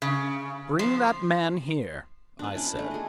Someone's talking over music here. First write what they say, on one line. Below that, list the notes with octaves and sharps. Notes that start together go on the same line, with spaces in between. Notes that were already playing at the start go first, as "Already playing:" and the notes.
"Bring that man here," I said.
C#3
F3
D4 B4
C#4 E4
A3 D4
G#4 D#5